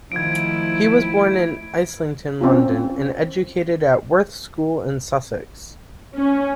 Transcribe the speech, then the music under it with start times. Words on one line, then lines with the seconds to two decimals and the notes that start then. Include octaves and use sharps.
He was born in Islington, London, and educated at Worth School in Sussex.
0.12 D#3 F3 A3 E4 G#6 D7
2.41 C4 C#4 F4
6.16 C#4